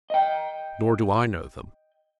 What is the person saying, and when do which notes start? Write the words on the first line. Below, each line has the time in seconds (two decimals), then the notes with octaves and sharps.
Nor do I know them.
0.10 D#5 G5